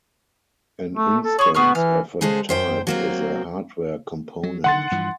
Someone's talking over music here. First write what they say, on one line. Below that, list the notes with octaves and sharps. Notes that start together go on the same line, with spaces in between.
An instance of a type is a hardware component.
A3
A4
G#4 C#5 C#6
B3 G#4 C#6 F6
E3 F6
C#3 G#3 G#4 A4 C5
F#2 C5 G5
F#3 A#3 C4
F#3
D3 D#3 F#5 C6 A6
G2 E3 F3